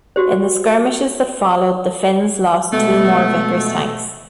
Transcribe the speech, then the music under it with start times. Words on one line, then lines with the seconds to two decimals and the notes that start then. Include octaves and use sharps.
In the skirmishes that followed, the Finns lost two more Vickers tanks.
0.16 F#4 G4 C5
2.73 B2 G#3 A3 B3